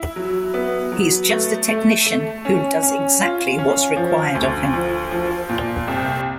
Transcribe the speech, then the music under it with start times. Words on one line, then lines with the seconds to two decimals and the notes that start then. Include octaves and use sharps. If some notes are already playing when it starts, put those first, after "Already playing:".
He's just a technician who does exactly what's required of him.
Already playing: E4
0.16 F#3
0.54 B3
0.92 F#3
1.30 A3
1.68 A3
2.06 A3
2.45 C#4
2.83 C#4
3.21 F4
3.59 C#4
3.97 F3
4.35 D2
4.73 F3
5.11 F3
5.49 A#2
5.88 C2